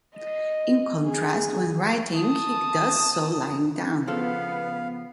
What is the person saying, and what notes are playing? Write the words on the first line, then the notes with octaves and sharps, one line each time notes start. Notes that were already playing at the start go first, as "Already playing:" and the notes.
In contrast, when writing, he does so lying down.
D#5
G#4
A5 D#6
C#3 F3 B3 A4 F5